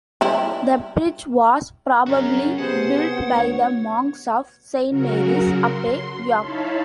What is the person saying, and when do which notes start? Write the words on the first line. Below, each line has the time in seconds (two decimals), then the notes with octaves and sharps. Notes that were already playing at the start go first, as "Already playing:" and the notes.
The bridge was probably built by the monks of Saint Mary's Abbey, York.
0.21 G3 E4
2.06 F#2 C#3 F#4 A#4
2.58 C3 B3 G#4 C5 F#5
2.93 C5
3.31 D2 C#5
4.89 C#3 F#3 F#4 A#4
5.56 C6
6.38 D#4 E4 C#5 F5 A5 B5